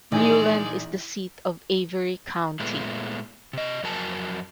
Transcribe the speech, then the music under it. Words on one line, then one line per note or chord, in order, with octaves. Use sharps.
Newland is the seat of Avery County.
A#1 D#3 E3 G#3 D5 G#5
A#2 G#3 A3 B3 F4
C3 D#5
F2 F#3 A#4 G#5 A5